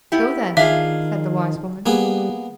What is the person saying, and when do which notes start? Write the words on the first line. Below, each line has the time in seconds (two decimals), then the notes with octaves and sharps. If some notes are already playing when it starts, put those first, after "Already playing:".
"Go, then," said the wise woman.
0.12 B3 E4 G4
0.57 D#3 D4 F4 G#4 E5 F5
1.86 G3 A#3 B3 G#4